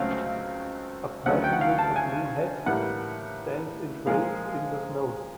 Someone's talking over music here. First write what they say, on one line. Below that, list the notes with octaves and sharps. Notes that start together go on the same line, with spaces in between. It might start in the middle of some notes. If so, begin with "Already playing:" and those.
A person with a blue hat stands in trails in the snow.
Already playing: C#2 C#3 F#3 A3 C4 F5
D2 C#3 F#3 F#5
G5
F#5
F5
A5
G#5
A2 E3 G3 A#3 F#5
A#2 F3 G#3 F5